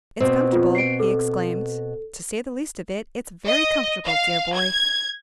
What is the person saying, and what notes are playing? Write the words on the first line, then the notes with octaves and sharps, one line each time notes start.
"It's comfortable!" he exclaimed; "to say the least of it, it's very comfortable, dear boy!"
B2 C4
F4
C7 D7
A4
D#5
F5
G#6